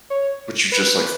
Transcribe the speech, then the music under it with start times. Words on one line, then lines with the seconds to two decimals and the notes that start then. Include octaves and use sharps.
would you just, like,
0.10 C#5
0.72 B4